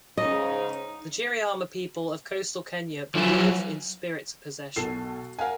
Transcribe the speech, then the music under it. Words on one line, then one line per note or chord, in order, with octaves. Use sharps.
The Giriama people of coastal Kenya believe in spirit possession.
G#2 C#3 D#4 D#5
F3 F#3 E4
B1 B2 A4 C7
A#4 F5 F#5 G#5